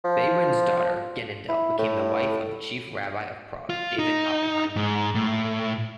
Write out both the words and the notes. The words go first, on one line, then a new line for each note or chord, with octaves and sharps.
Behrend's daughter Genendel became the wife of the chief rabbi of Prague, David Oppenheim.
F3
E4
A2
F4
D#4
G#2
A2